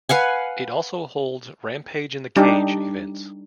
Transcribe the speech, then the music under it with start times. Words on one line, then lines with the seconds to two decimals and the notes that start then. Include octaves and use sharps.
It also holds Rampage in the Cage events.
0.09 B4 F5 F#5 G#5
2.36 G3 D4 D#4 G4